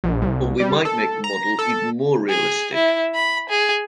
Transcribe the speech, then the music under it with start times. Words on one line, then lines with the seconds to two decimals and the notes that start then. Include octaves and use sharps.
Or we might make the model even more realistic.
0.04 A#1
0.22 C2
0.60 G3
0.85 A4
1.24 A#5
1.59 A4
2.29 G#4
2.74 E4
3.15 B5
3.50 G#4